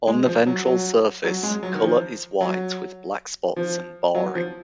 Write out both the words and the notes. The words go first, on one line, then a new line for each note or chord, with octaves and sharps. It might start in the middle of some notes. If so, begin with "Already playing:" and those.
On the ventral surface, colour is white with black spots and barring.
G#3
F3
F#3
F#3
F#3
G#3
F#3
D#3
F3
F#3
F3
F#3
F3